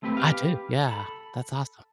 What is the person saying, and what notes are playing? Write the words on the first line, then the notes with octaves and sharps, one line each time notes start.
I do, yeah, that's awesome.
A3 C4 G4 B4
G4 B4 F5
A4 B5